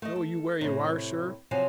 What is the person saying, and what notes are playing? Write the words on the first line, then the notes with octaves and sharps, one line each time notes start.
Know you where you are, sir?
A3 D#5
A4
A2 C3
C3 F3 F#3 C5 G#5